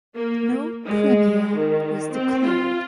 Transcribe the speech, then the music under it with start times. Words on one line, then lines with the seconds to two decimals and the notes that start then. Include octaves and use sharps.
No Premier was declared.
0.15 A#3
0.87 G#3
1.57 D#3
2.11 C4
2.44 F4